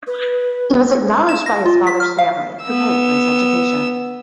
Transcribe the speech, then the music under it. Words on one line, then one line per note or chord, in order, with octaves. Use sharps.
He was acknowledged by his father's family, who paid for his education.
B4
E7
A#6
F4
B6
F6
F5
B3 E6